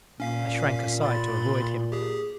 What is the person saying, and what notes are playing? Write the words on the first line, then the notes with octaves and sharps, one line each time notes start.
I shrank aside to avoid him.
A#2 C#4 F5 B6
B5 C6 A6
G4 G#4